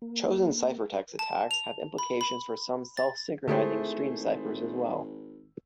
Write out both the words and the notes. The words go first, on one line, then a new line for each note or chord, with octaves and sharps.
Chosen-ciphertext attacks have implications for some self-synchronizing stream ciphers as well.
A#3
A5
F7
B5
B5
A6
G#1 D3 G#3 A3 E4 G4 G#4 C5